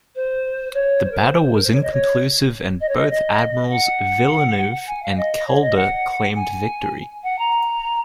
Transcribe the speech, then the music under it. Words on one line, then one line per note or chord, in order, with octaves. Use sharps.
The battle was inconclusive and both admirals, Villeneuve and Calder, claimed victory.
C5
C#5
C5
A#4
C5
A#4
C5
C#5
D#5
C#5
D#5
C#5
D#5
D#5
F#5
G#5
F5
D#5
C#5
D#5
F#5
G#5
F#5
A#5